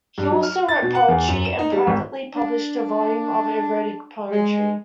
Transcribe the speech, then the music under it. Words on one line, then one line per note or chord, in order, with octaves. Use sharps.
He also wrote poetry and privately published a volume of erotic poetry.
G2
F#3
F6
A6
B2
F#5
E2
F#2
E7
D#4
G3
G#1
D4
G#3